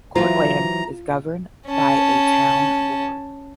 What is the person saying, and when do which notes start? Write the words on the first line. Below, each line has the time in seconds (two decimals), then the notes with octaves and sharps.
Cortlandt is governed by a town board.
0.16 E3 F#3 F4 C5 A#5
1.67 C#4 A5